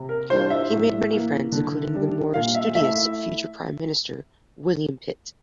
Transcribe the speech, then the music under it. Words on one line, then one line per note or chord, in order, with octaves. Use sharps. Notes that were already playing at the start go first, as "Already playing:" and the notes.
He made many friends including the more studious future Prime Minister William Pitt.
Already playing: C3
A#4
E3 G3 D4 F4 C5
E5
A2
E3 A#3
D3
G3 D4
A#2 F5
E5
A3 E4 E5